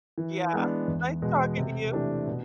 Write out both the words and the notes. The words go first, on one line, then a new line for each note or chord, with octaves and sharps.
Yeah, nice talking to you.
E3
G#3 B3 D4
E2
B2 G#3
C3
E3 A3 D4 G4
B2